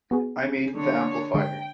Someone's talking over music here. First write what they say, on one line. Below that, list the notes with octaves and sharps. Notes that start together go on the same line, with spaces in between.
I mean, the amplifier.
B3 F#4 G#4
D3 C#5
D3 G#3 A4 G5